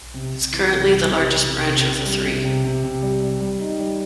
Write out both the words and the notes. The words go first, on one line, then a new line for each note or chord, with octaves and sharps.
It is currently the largest branch of the three.
C3
C3
E3
C3
G3
C3
C3
C3
C3
C3
G3
C3
C3
C3
C3
G3
G3
G3
D#4
G3